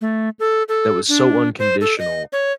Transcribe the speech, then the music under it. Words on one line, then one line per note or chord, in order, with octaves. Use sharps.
that was so unconditional
A3
A4
A4
D4
C5
A4
D#5
C#5